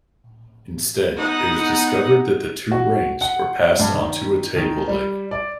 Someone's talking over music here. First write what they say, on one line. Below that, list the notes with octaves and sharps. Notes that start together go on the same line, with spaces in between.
Instead, it was discovered that the two rings were passed onto a table leg.
B3 D#4 F#5
F#4
F#5
G2
D#3
D#3
G3
D5